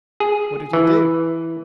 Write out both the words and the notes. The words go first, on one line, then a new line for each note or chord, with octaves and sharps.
What did he do?
G#4
E3